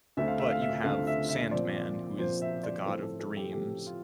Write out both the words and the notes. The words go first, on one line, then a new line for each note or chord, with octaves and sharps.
but you have Sandman, who is the god of dreams,
D2 D3 A3 C4 E5
F5
E5
F5
E5
D2 D3 A3 C4 F5
E5
E5
A#2 F3 C4 D5
A#2 F3 C4 C5
E5
D5
A2 F3 A3 C4 C5
A4
A4
G4
A2 F3 A3 C4 G4
F4